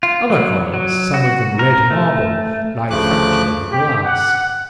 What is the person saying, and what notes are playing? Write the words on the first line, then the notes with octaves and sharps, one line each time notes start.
Other columns, some of them red marble, lie fractured on the grass.
F4
F#3
F#3
F#4
A#4
A3
D2 C#3 F3 A3 D6 F#6
G4
F#5